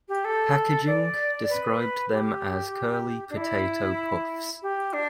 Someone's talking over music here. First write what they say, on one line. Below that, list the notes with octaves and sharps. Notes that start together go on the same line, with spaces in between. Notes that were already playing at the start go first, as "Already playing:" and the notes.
Packaging described them as "curly potato puffs".
G4
A4
D5
B4
G4
D4
E4
G4
D4